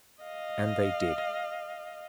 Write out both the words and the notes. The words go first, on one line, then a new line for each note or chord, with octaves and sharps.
And they did.
D#5 F5